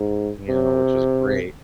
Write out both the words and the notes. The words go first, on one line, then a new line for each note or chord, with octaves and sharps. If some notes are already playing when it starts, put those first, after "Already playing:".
you know, which was great.
Already playing: G#2
C3